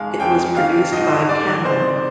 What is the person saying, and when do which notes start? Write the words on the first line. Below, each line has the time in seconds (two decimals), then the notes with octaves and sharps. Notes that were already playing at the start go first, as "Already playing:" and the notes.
It was produced by Canham.
Already playing: F2 D#3 G#3 F5
0.20 F2 G5
0.56 D#3 F5
0.92 G#2 D#5
1.29 G3 D5
1.65 C4 C5